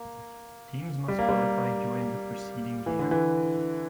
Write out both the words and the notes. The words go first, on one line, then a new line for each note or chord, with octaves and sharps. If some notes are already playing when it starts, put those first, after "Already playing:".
Teams must qualify during the preceding year.
Already playing: A#3
G3
A#3
G3
E3
D3
E3